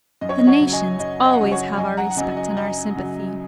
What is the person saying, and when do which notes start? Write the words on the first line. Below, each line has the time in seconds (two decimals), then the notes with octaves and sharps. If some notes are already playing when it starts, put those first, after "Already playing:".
The nations always have our respect and our sympathy.
0.21 F#2 D#5
0.29 C#5
0.38 D#5
0.47 C#5 F#5
0.61 C#3 F#3 C#4
0.73 D#5 G#5
0.99 F#2 D#5
1.25 D#5
1.33 F#5
1.38 C#3 F#3 C#4 D#5
1.52 C#5 F#5
1.77 F#2 D#5 G#5
1.97 F#5 A#5
2.11 F#5
2.17 C#3 F#3 D#5 G#5
2.37 D#5
2.56 F#2 D#5
2.95 C#3 F#3